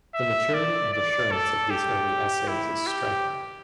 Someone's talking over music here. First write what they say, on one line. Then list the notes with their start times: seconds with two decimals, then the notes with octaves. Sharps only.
The maturity and assurance of these early essays is striking.
0.15 E5
0.54 D5
0.93 D5
1.31 A4
1.70 G4
2.48 E4
2.87 G4